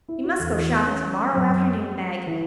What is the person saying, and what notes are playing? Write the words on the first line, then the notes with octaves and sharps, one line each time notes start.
We must go shopping tomorrow afternoon, Meg.
E4
F#4
E2 E3 A4
E4
B3
C#4
F#2 F#3
E3